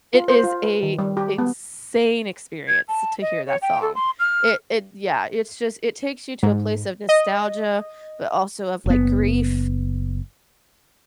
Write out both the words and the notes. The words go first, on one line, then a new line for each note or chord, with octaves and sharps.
It is a insane experience to hear that song. It it yeah, it's just it takes you to a place of nostalgia, but also of, like, grief,
F4
C5
F4
B4
D#3
G3
G4
B3
G#6
A5
D#5
C#5
G5
A4
C6
F6
G#2
D#5
F#1 B3